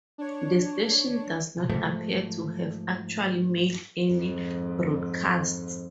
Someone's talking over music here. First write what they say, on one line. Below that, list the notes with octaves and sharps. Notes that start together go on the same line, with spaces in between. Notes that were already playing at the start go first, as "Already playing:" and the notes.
The station does not appear to have actually made any broadcasts.
D4 C#5
G#2 F3 A3
F2 G#2